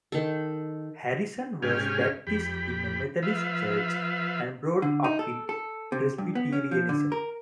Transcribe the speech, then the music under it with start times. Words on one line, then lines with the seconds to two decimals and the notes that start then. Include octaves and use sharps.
Harrison was baptised in a Methodist church and brought up in Presbyterianism.
0.12 D#3 A4
1.62 G#2 C3 C#4 G4 G#5 F6
2.27 F2 G4 B5
3.23 F3 B4 E5 F5
4.82 D3
5.04 D#4
5.19 A4
5.49 A4
5.92 C3
6.18 G2
6.35 B3
6.52 C#4
6.71 F3
6.89 D3
7.12 A#4